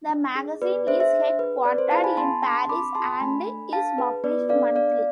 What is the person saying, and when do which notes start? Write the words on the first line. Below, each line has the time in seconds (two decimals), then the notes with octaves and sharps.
The magazine is headquartered in Paris and is published monthly.
0.09 D4
0.35 G#4
0.61 B3 B4 D5
0.87 D4 G#4 C5 E5
1.00 C5 E5
1.13 D4
1.39 G#4 B4
1.65 C4 B4 D5
1.78 C5
1.91 E4 G#4 F5 A5
2.04 G#5 B5
2.17 B3 A5 C6
2.43 D4 G#4 A5 C6
2.68 C4 B5 D6
2.95 F4 G#4 A5 C6
3.20 A3 G#5 B5
3.47 D4 A4
3.73 D4 F5 A5
3.98 G#4 B4
4.24 B3 B4 D5
4.49 D4 A4 D5 F5
4.76 B3 D5 F5